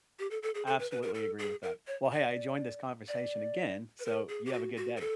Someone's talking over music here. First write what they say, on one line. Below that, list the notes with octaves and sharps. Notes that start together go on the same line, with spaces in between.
I absolutely agree with that. Well, hey, I enjoyed this conversation again, so, you have a good day.
G4
A4
A4
G#4
A4
B4
B4
A#4
A4
G#4
A#4
C#5
D5
D5
B4
A#4
G#4
G4
F#4
F#4
A#4
A4